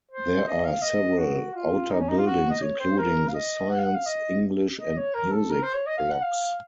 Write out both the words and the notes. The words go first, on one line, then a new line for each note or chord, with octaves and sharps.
There are several outer buildings including the science, English and music blocks.
C5
D#5
F5
D#5
F#4
F4
D#4
C#4
D#4
F4
F#4
D#5
C#5
C5
A#4
F5
D#5
F#5
F5
F#5
F5
D#5
D#5
C#5
A#4
A4
A#4
C5
C#5
D#5
F5
F#5
F5